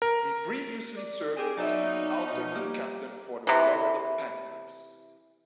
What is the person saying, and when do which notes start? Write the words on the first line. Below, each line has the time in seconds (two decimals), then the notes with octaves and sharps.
He previously served as an alternate captain for the Florida Panthers.
0.02 A#4
0.97 D5
1.37 C4 G4 G#4
1.57 F#3 B3 C#4 D#4 D5 E5
2.34 B2
2.56 G3 A#3
3.47 C3 E3